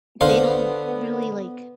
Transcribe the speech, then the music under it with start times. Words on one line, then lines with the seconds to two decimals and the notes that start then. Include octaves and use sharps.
they don't really like
0.21 D3 B3 C5 F5